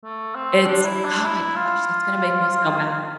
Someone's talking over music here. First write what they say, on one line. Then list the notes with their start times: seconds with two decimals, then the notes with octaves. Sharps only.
It's oh my gosh, that's gonna make me so mad.
0.04 A3
0.35 C4
0.65 D4
0.85 E4
1.04 D4
1.26 E4
1.56 F4